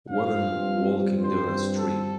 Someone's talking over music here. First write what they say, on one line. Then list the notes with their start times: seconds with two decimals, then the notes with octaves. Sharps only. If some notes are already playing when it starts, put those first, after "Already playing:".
Women walking down a street.
0.10 G2 F3 C4 F5
1.22 C5
1.77 A4